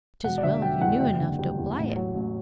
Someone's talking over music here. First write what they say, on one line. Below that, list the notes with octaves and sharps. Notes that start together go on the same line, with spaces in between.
'Tis well you knew enough to apply it.
E1 F#5
D5
D3 E5
E1 G5
E2 F#5
F#1 G5
D3
G3 G5
E2
A1
F#3
A1